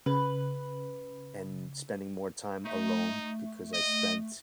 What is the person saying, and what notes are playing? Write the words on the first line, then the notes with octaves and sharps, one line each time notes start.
and spending more time alone because I spent
C#3 B4
A3 D#4
D#5